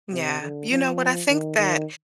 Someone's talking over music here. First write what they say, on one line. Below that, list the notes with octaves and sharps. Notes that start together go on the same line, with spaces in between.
Yeah. You know what, I think that
C3
D3
F3
D#3
D#3